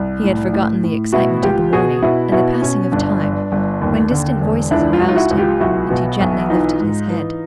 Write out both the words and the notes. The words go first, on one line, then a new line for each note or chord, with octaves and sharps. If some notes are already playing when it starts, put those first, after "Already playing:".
He had forgotten the excitement of the morning and the passing of time when distant voices aroused him, and he gently lifted his head.
Already playing: C2
A2
A2
A2
B2 E4 F#4
C#2 F4 G4
B2 F#4 G#4
B2 E4 F#4
B2 E4 F#4
B2 C#4
G1 D4
G2
G1
D#2
D3
E1
C#2 D4 E4
F4
C#2 F#4
D#4 F4
E4 F#4
C#2
F4 G4
B1 E4 F#4
B2
B1
E3 D#4 F4
G#2
E3